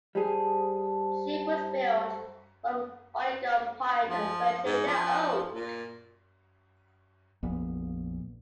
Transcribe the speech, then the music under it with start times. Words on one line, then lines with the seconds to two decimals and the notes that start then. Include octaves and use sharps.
The ship was built from Oregon pine and Virginia oak.
0.15 G3 G#4 C5 A5
4.09 F3
4.65 G#2
4.87 F3
5.55 A#2
7.43 A#1 F2 A#2 B3